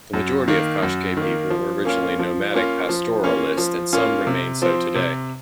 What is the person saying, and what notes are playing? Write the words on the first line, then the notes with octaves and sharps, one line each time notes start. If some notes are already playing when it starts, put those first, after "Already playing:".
The majority of Qashqai people were originally nomadic pastoralists and some remain so today.
F#2
D#3 A#3
F#2
D#3 A#3
F3
A#3 C#4 F4
F3
A#3 C#4 F4
F3
A#3 C#4 F4
F3
A#3 C#4 F4
C3
F3 C4
C3